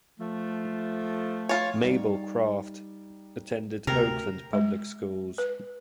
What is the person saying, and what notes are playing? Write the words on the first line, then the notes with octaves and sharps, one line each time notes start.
Mabel Craft attended Oakland public schools.
F3 A3
F4 C#5
G3 D#4 D5
D2 C3 A#4 G5 A#5
G#3
B4